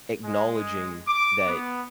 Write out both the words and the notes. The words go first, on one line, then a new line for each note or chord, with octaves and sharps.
acknowledging that
G#3
D6
B3